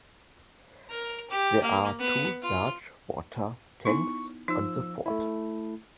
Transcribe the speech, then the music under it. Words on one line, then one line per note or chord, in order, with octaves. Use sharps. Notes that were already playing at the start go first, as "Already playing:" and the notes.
There are two large water tanks on the fort.
A#4
G4
A#3
B3
F4
B3 D#4 E4 C#6
F3 D#4 E6
A3 E4